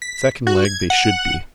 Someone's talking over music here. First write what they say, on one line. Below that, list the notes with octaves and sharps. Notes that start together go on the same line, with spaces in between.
Secondleg they should be.
B6
F#4
G#6
F#5